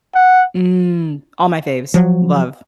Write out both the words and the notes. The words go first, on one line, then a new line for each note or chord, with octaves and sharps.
Mm, all my faves. Love.
F#5
F3 F#3